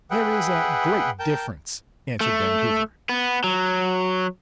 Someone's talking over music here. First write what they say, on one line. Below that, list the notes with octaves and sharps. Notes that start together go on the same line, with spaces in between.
"There is a great difference," answered Vancouver.
G#4 B4 E5 F#5 G5
A#4 G5 A5 G6
A3
B3
F#3